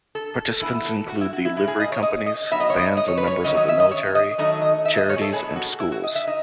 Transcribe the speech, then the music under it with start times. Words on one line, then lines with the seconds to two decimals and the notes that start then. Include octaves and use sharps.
Participants include the livery companies, bands and members of the military, charities and schools.
0.15 A4
0.50 A4
0.62 E3 B3 E4 G#4
0.86 A4
1.09 F#4
1.21 E4
1.33 F#4
1.45 E4
1.57 A2 G#3 C#4 E4
1.68 G#4
1.80 D#5
1.92 C#5
2.03 D#5
2.26 D#5
2.51 F#3 B3 D#4 E5
2.60 D#5
2.70 C#5
2.79 D#5
2.97 D#5
3.08 C#5
3.17 B4
3.27 C#5
3.44 D#3 F#3 C#4 D#5
3.57 D#5
3.69 E5
3.80 D#5
3.91 C#5
4.15 D#5
4.38 D#3 F#3 A3 D#4 D#5
4.62 D#5
4.85 E5
4.97 D#5
5.09 C#5
5.16 G#4
5.21 A4
5.33 A2 F#3 B3 G#4
5.56 F#4
5.80 E4
5.92 F#4
6.03 D#5
6.15 E5
6.27 D#4 D#5